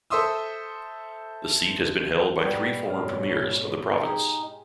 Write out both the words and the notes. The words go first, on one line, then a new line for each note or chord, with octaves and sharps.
The seat has been held by three former premiers of the province.
A4 C5 E5 C6 D#6 E6
G#2 B2 G3 B3 D#4 A4
C#5 F5
G#3 D#4 G4 G#4 G#5